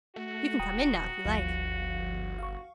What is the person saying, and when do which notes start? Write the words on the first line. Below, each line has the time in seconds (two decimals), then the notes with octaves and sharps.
"You can come in now, if you like."
0.16 A3 F#4
0.59 D#1 G5 A#5 D#6
1.25 G1 D2 F3 F5
2.39 F5 C#6